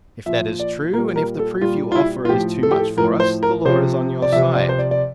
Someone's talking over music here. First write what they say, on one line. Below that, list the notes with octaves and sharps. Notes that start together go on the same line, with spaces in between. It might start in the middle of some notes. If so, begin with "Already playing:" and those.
If that is true, and if the proof you offer is too much for us, the law is on your side.
A#2 F3 E5
D5
A#2 G3 A#4
A#4
A4
A#2 G3 F4
F4
E4
F4
A2 F3 G4
A4
G4
A4
A2 F3 A#4
C5
A#4
C3 F3 C5
D5
C3 F3 E5
D5
C5
D5
D5